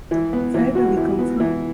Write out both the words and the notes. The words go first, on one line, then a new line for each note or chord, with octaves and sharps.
Where Do We Come From?
E3
B3
E3
F#4
E3
B3
E3